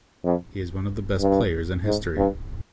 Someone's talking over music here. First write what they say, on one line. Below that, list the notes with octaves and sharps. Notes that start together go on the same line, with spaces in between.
He is one of the best players in history.
F2
G2
G#2
G2